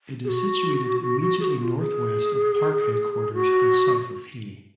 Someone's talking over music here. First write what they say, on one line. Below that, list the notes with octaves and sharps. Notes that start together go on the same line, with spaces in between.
It is situated immediately northwest of park headquarters and south of Healy.
G#4
F#4
F#4
F#4
G#4
F#4
F#4
F4
G#4
F#4